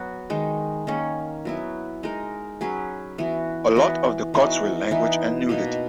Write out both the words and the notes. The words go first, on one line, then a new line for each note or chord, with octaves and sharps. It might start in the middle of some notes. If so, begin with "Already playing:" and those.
A lot of the cuts were language and nudity.
Already playing: F#3 B3 F#4
D#3 G#3 D#4
D#3 A#3 C#4
F#3 B3 E4
G#3 D#4 A#4
F#3 C#4 G#4 B4
E3 B3 F#4
E3 B3 F#4
E3 B3 D#4 F#4
E3 B3 D#4
B2 A#3 D#4